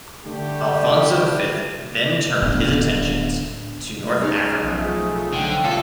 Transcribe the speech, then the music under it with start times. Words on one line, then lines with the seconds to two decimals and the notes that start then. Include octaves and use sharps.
Afonso the Fifth then turned his attentions to North Africa.
0.25 D3 G3 A3 G4
2.42 D1 B3 D4
4.22 C#2 G#3 C#4 D#4 F6
4.62 B1 F3 A3 G#4
5.33 D3 G5
5.64 C2 F4 A4